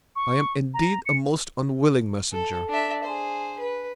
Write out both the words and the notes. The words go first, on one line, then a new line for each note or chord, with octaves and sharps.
I am indeed a most unwilling messenger.
C#6
A#5
C#7
A4
D4 E5
G#4 C5
B4